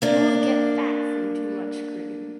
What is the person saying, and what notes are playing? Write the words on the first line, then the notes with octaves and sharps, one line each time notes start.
You will get fat from to much cream!
A#3 D4